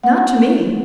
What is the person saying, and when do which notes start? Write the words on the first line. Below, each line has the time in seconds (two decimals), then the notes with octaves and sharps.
"Not to me."
0.04 F#5